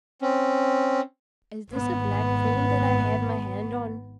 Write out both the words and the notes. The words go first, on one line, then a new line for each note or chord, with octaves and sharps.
Is this a black frame that I have my hand on?
C4 C#4
G#1 B3